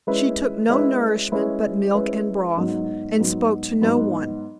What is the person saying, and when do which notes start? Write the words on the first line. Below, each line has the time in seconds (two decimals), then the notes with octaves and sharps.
She took no nourishment but milk and broth and spoke to no one.
0.07 G#3 C#4 E4 B4
0.69 G#3 C#4 E4 B4
1.32 G#3 C#4 E4 B4
1.95 G#3 C#4 E4 B4
2.57 G#2 F#3 B3
3.20 G#2 F#3 B3
3.81 G#2 F#3 B3